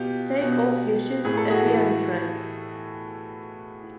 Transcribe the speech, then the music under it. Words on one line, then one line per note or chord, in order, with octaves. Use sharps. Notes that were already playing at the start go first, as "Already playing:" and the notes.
Take off your shoes at the entrance.
Already playing: B2 F4 G4
B2
A2 G#4
A4
F#4 G#4
E3